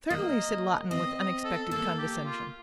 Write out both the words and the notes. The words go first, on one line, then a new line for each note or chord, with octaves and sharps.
"Certainly," said Lawton, with unexpected condescension.
A#3 D#5
C4 D#5
D#5
A4
A#3 A4
G4
F4